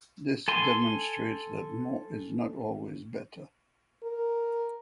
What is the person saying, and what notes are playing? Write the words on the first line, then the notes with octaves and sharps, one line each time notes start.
This demonstrates that more is not always better.
A4 G#5 C6
A#4